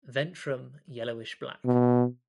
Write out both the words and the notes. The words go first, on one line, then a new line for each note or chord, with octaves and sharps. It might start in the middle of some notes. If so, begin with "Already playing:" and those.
Ventrum yellowish black.
B2